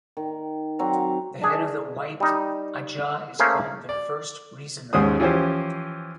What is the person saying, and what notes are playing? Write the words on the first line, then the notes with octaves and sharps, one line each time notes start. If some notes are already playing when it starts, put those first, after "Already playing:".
The head of the White Ajah is called the First Reasoner.
D#3
F#3 C4 F#5 A#5
D4 G#4
G3 D#4
A3 A#3 C#4 G#4 C5 F5
D5
D#2 G#2 G#3 C#4 C5 D#6
E3 F3 C#4 G4 C5